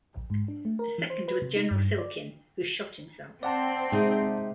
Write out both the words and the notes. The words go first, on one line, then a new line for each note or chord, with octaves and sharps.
The second was General Silkin, who shot himself.
A#1
G#2
D4
A3
A#4
E3
C5
B4
C3
D#4
G2
D5
C4 D5 F#5 A5
C3 G#3 D#4